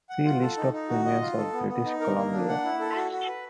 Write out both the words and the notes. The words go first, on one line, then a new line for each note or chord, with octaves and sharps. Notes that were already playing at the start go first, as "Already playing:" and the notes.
See List of premiers of British Columbia.
F#5
F4
A4
D#4
D#4
F#4
D#5
F4
A4
B3
B3
D#4
A#4
A#3
D4
F#5
E4
A4
F#4
F#4
B4